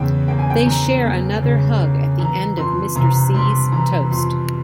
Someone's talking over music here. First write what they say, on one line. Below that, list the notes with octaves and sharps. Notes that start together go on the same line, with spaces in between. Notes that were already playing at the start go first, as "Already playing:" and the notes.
They share another hug at the end of Mr. C's toast.
Already playing: E2 C#3 E3 G5
A#3 G5
G#5
G5
E3 A#5
E2
C#3
A#3
E3 A#5
F2 C6
C3 A#5
G3 C6
E3 A#5
F2 C6